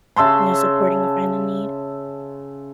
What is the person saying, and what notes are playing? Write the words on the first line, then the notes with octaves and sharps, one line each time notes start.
you know, supporting a friend in need?
C#3 E5 A5 C6